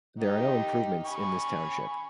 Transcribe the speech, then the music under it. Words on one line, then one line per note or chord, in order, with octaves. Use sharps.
There are no improvements in this Township.
D#4 G4
G#5 B5 C#6